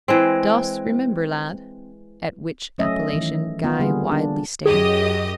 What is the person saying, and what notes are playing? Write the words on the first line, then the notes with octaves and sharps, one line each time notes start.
"Dost remember, lad?" at which appellation Guy widely stared.
E3 G#3 C4
F#3 A3 C#4 D#5 E5
D#3 E3
B3 F4
D3 G3 A#3 G#4
D4
F#2 G4 G#4 D#5